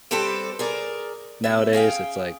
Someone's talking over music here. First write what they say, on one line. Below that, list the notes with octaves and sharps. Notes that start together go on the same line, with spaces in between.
nowadays it's like
G3 C4 G4 A4 B4 C5
G#4 A#4 D5
B2 E5
C#4 G#4 F5 G5